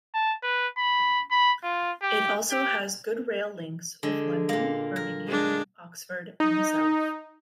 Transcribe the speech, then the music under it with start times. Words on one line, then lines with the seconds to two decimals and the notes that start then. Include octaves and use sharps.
It also has good rail links with London, Birmingham, Oxford and the South.
0.14 A5
0.43 B4
0.78 B5
1.31 B5
1.64 F4
2.02 G4
2.51 G4
4.03 D3 G#3
4.49 A#2 A#3
4.96 A#4
5.27 G#3 D4
6.40 D#4